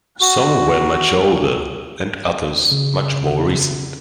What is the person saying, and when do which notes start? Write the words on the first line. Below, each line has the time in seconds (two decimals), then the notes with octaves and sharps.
Some were much older and others much more recent.
0.21 F#4
2.72 C#3